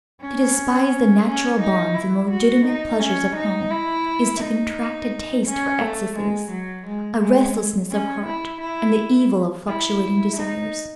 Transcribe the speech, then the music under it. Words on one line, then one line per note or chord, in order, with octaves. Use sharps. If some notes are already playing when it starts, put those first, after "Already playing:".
To despise the natural bonds and legitimate pleasures of home, is to contract a taste for excesses, a restlessness of heart, and the evil of fluctuating desires.
C#4
C#4
D#4
E4
F#4
D#4
C#4
D#4
E4
D#4
C#4
A3
G#3
F#3
G#3
G#3
C#4
E4
E4
E4
D#4